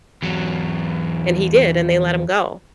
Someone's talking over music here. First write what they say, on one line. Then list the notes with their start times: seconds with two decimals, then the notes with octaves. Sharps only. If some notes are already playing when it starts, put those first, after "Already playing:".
and he did, and they let him go.
0.23 E2 F#3